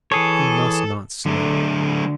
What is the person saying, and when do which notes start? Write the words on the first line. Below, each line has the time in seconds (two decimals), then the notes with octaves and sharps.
He must not slip.
0.12 E3 G#4 A4 C#5
1.26 D3 F#3 A3